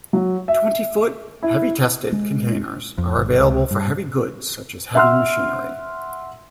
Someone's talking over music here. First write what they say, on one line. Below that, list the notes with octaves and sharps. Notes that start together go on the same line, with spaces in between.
Twenty-foot, "heavy tested" containers are available for heavy goods such as heavy machinery.
F#3
E5
E4
G#3
F2
G1
C#2
G2
E5 F#5 C6 E6 F6